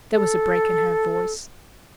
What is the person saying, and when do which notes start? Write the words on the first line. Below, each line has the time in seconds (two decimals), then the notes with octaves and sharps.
There was a break in her voice.
0.12 A4